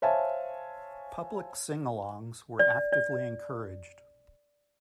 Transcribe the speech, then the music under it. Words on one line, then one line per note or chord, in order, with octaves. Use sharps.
Public singalongs were actively encouraged.
C5 C#5 E5 F5 G#5 A5
D5
D5